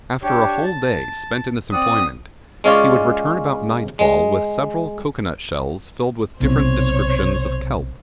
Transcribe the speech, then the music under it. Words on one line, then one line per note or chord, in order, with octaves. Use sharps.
After a whole day spent in this employment, he would return about nightfall with several cocoanut shells filled with different descriptions of kelp.
D4 G4 C#5
A5
C4 D5 F#5 D#6
G#3 C#4 F4 C#5 D5
G#3
B1 C3 C5 C#5